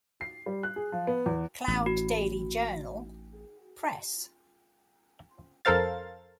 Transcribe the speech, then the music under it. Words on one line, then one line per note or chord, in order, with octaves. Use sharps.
Cloud Daily Journal-Press.
C7
G3
F#6
G#4
F3
B3
E2
A1
F#4
F2 A4 A#4 C5 F5 A6